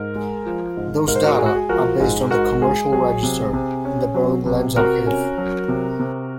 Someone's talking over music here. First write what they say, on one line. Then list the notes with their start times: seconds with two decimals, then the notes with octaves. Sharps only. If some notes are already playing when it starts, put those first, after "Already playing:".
Those data are based on the commercial register in the Berlin Landesarchiv.
Already playing: G#2 A#4
0.15 G#3
0.46 F3
0.77 G#2
1.08 G#2 A#4
1.15 C5
1.23 F#4 A#4
1.38 G#3 G#4
1.46 F#4
1.55 G#4
1.69 F3 F#4 A#4
2.00 G#2 G#4
2.31 G#2 F#4 A#4
2.61 G#3 G#4
2.92 F#3 G#4
3.23 C3
3.53 C3
3.85 C#4
4.14 F#3
4.46 C3
4.76 C3 F#4 A#4
5.07 C#4
5.38 F#3
5.68 C3
5.99 C3